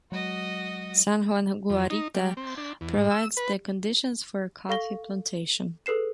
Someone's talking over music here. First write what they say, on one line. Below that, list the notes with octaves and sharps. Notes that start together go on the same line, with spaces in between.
San Juan Guarita provides the conditions for coffee plantation.
F#3 G#3 F#4 D#5
F2
D#4
G3
C4
D4
E2
G#2
E6
B4
A4 F5 C#6 A#6 G7
G#4 A4 B4 C7 E7